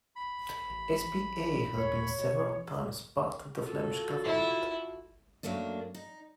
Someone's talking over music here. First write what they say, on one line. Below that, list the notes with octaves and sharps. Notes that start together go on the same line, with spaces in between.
Sp.a has been several times part of the Flemish Government.
B5
A1
D#2 C#5
B2
F4 F#4 A4
E4
F#2 F#3 A3 A#3 D4
D#4